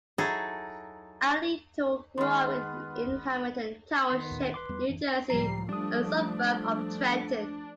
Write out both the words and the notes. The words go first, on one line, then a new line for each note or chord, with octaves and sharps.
Alito grew up in Hamilton Township, New Jersey, a suburb of Trenton.
F#3 D#4 E4 F#4 G#4 A4
D#3 G#3 B3 C6 F6
D#3 B3 C6
A1 D#2 A#2
E1 B4 C6 D6
E2 G3 B3
A1 F#2 E3
C#2 A2 F3 G3 A#5 C7
F3 G3 A3 D4 D#6